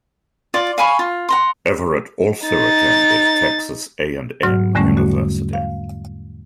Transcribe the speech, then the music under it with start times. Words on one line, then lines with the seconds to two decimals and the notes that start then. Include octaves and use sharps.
Everett also attended Texas A and M University.
0.54 F4 D5
0.78 F5 G#5 B5 C#6
0.99 F4
1.29 F#5 A#5 C6
2.46 D#4 A6
4.43 G#2 F#3 F#4 F6
4.75 E2 D3 G3 A3 C#4
4.97 F#4
5.53 F5